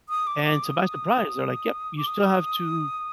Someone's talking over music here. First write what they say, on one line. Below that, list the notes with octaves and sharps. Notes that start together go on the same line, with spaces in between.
And so by surprise, they're like, yep you still have to
D#6
D6
D6
D#6
D6
D#6